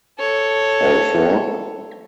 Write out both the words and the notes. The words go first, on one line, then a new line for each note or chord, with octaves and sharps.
All four?
A4 C#5